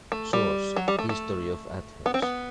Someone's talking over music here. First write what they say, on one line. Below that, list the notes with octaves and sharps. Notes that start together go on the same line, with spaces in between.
Source: History of Athens.
A3
G3
F#3
G3
A3
A3
B3
C4
B3